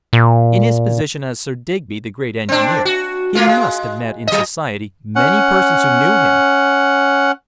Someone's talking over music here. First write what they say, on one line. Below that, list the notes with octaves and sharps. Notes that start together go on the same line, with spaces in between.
In his position as Sir Digby, the great engineer, he must have met in society many persons who knew him.
A#2
C4 D4
F#4
A3 A#3 F4
G#3
F#3 D#5
C#4 F#5